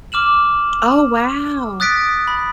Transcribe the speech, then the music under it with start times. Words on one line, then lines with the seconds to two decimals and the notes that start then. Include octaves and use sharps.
Oh, wow!
0.12 D6 F6 E7 F#7
1.80 D#6 F#6 A6 B6 D7
2.27 B5